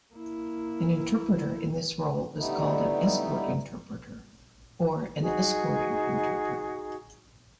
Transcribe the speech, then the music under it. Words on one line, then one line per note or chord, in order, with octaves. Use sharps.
An interpreter in this role is called an "escort interpreter" or an "escorting interpreter".
A#3 E4
D3 G3 A3 B3 D#4 E4
D#4 F#4 G#4